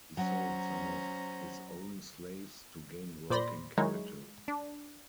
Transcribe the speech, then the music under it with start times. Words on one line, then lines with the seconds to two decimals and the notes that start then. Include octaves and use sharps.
He sold some of his own slaves to gain working capital.
0.17 F#3 C#4 C5 F#5 A#5
3.30 A#2 C5 D5 B5 C6 A#6
3.78 D#3 F#3 G#3 D#4 E4 C#5
4.48 D4